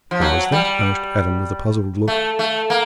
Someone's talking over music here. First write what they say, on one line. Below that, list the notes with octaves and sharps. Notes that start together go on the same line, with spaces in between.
"How is that?" asked Adam with a puzzled look.
F3
F#3
G3
A3
A3
A#3